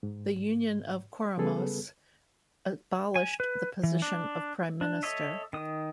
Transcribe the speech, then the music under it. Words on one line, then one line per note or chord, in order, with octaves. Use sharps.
The Union of Comoros abolished the position of Prime Minister.
G#2
C#3 G3 B3 G#4 A4 B4
G#5
B4
E3
D4
D4
A4 C#5 D#5 E5
D#3 D#6